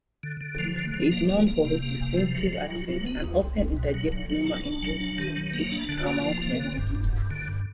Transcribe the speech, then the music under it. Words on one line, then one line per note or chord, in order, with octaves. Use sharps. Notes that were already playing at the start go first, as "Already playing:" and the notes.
He is known for his distinctive accent, and often interjects humour into his announcements.
D3
D3
F3
D3
F3
A#3
A#3
A#3
C3
A#3
C3
F3
F#3
F#3
F#3
F#3
B3
D#2
C2
C2
B2
F#3
F#3
F#3
D4
D4
F#3
D4
D#3
F#3
A#3
D4
D3
A#3
F3
A#3
D3
G2
G2
G2
D3
G2